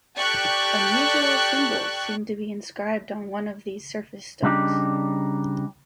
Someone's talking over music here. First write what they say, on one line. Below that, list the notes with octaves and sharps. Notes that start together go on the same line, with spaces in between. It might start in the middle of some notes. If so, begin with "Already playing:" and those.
Unusual symbols seemed to be inscribed on one of these surface stones.
G4 A4 D5 C#6 F#6
C#3 G3 D4 D#4 G4